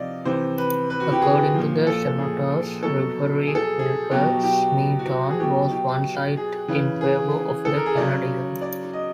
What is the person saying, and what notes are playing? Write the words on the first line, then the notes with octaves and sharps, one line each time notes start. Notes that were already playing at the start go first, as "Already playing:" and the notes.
According to the Senators, referee Cooper Smeaton was one-sided in favour of the Canadiens.
Already playing: C3 F3 D5 D#5 F5
C3 E3 C5
B4
B4
F#4
G4
G#4
A#2 F3
A4
A4
G#4
B2 F#3 A4
G#4
A4
G#4
G#4
B2 F#3 G4
G4
F#4
G4
G#4
B2 F#3 G4
G4
G#4
C#3 E3
G#4
A4
A#4
G#4
C#3 F#3 D5
D5
D#5